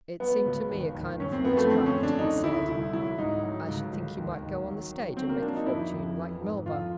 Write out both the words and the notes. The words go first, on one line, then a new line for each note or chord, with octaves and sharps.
'It seemed to me a kind of witchcraft,' he said.... 'I should think you might go on the stage and make a fortune like Melba.'
F#3 B3
C#2
D#2
D#2
F#2 C#4
C4
F3 B3
A3
D3 C4
C#4
F2
D4
D2 D#4
D2 E4
C2 E4
F#3 E4
G#2 D#4
F#3
C#2
C#2
D#2
D#2
F#3
F#3
F#3 C4
A#3
F#3 D4
D#4
F2 E4
F2
E3
G#2
F2 F4